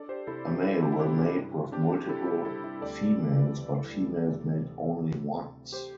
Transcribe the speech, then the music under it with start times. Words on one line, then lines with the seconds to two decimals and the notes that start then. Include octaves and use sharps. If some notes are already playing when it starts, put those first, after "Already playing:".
A male will mate with multiple females but females mate only once.
Already playing: D4 A4 D5
0.09 G4 C5
0.27 C3 E4 A4
0.45 D4 G4
0.63 D4 E4 A4
0.82 D4 G4
0.92 E4
0.99 C3 D4 G4
1.37 G2
1.72 C4 D4 G4
2.03 G4
2.09 C4 E4 A4
2.28 E4 A4
2.45 G3 E4 A4
2.64 E4
2.81 D2 A4 D5
3.18 E3
3.55 C3
3.91 D2
4.28 C3
4.64 C3
5.01 C3
5.37 C3
5.72 G4 C5